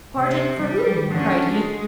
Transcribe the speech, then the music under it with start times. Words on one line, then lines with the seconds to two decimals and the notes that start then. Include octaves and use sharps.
"Pardon for whom?" cried he.
0.18 C3
0.60 G3
1.12 D3 C#4
1.52 G#3